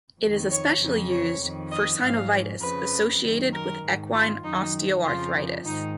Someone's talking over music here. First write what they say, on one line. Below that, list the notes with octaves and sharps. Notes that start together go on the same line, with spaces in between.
It is especially used for synovitis associated with equine osteoarthritis.
F2 D#3
C#5
F2 C#3 F3
C#5
F2 D#3
D#5
G#2 F3 F5
F2 C#3 F3 B4
F#2 D#3
A#4
G#2 D#3
F4
F#2 D#3 D#4
F2 C#3 F3 F4
G#2 D#3 D#4